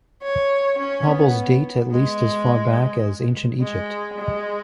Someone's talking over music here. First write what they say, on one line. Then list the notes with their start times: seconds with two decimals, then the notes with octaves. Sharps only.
Hobbles date at least as far back as Ancient Egypt.
0.23 C#5
0.79 C#4
1.07 B3
1.92 G#3
3.61 G#3
4.18 G#3